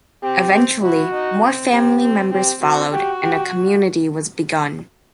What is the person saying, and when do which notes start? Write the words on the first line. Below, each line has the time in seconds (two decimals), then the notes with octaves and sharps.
Eventually, more family members followed and a community was begun.
0.23 C4 G4
0.53 C4
0.83 E4 F#4
1.12 D#4
1.42 C4
1.72 C4 G4
2.02 C4
2.32 C4 G4
2.62 C4 F#4
2.92 F#4 G4
3.21 G4